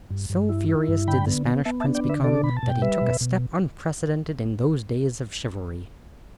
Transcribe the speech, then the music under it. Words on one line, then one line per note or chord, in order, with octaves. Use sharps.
So furious did the Spanish prince become that he took a step unprecedented in those days of chivalry.
G2
G2
E4
E4
G2
D3 G5 B5
B3
B3
B3 E5 A5
E5 A5
D4
D5 G5
D3 B4 E5
D4 A4 D5
B2 B5
A5
B2
G5
G3 B4 E5
B2
B2